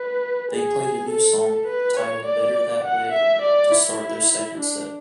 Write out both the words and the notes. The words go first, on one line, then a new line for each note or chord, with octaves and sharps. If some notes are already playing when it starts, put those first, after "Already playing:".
They played a new song, titled "Better That Way", to start their second set.
Already playing: B4
G#4
A4
B4
C#5
D5
F#5
E5
D5
E4
D4